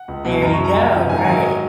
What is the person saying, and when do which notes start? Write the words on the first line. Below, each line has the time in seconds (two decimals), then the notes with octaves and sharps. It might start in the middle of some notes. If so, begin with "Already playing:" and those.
There ya go. Right.
Already playing: F#5
0.08 C#2
0.25 B2 F#3
0.41 F#2 A#5
0.53 C#6
0.58 C#3 F#3
0.64 A#5
0.75 F#2
0.93 F3
1.10 G#2 G#5
1.18 A#5
1.24 D#3 F#3 G#5